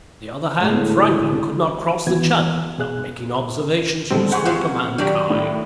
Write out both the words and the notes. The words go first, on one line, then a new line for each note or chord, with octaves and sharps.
On the other hand, Franklin could not cross the Channel without making observations useful to mankind.
G#1 A2 D3 G#3
D#2 E3 B3 F#4 G#6
B2 G#4 F#6
B1 D3 D#3 G3 C4 A4
G4 G#4 F#5 C6 C#6
F2 F3 F4
D#3 F#3 D4 G4 D5
A2